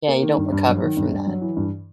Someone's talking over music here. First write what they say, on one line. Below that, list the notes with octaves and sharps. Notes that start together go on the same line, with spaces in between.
Yeah, you don't recover from that.
A#3
D#3
G2
G2
F#3
D#3
G2
G2
F#3
E3
G2